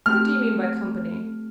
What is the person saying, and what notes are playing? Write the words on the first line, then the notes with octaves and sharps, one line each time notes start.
"What do you mean by company?"
A3 C4 G4 F6